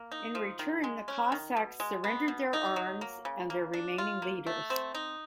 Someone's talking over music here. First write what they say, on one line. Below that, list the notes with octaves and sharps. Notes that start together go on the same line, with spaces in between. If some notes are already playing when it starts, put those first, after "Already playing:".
In return, the Cossacks surrendered their arms and their remaining leaders.
Already playing: A#3
D#4
F3
D#3
G#3
C#4
D#3
B2
G#3
B3
B2
D#4
F#3
A#3
C#3
A#3
D4
F4
A#3
A3
C4
D#4